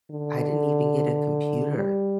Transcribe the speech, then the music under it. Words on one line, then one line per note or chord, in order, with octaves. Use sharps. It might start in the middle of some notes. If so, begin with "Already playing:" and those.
I didn't even get a computer
D3
G3